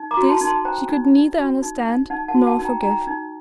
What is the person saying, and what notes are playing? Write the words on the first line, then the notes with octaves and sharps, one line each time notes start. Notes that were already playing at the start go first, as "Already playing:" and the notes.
This she could neither understand nor forgive.
Already playing: D#4
A#5 D6
F#4
A5 C6
D#4
A5 C6
C5 G5 A#5
D#4
D#4
F#4
D#4
D#4
D#4 F#5 A5
F#5 A5
F#4
F#5 A5
D#4
G5 A#5
D#4 G5 A#5
D#4